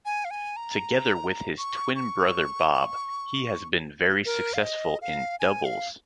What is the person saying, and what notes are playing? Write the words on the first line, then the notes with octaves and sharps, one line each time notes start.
Together with his twin brother Bob, he has been very successful in doubles.
G#5
F5
G#5
A#5
C#6
C#6
A#4
F5
D#5
F5
G#5
F5